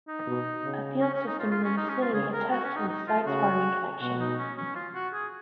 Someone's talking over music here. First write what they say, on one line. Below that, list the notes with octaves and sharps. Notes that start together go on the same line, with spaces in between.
A field system in the vicinity attests to the site's farming connections.
D#4
B2
C#3
C#4
C#4
D#4
F4
F4
C#4
D#4
C#4
F4
C#3 G#4
A#4
F#4
C#4
D#4
D#4
F4
C#3 F#4
B2 F#4
D#4
C#4
C#4
F4
F#4
G#4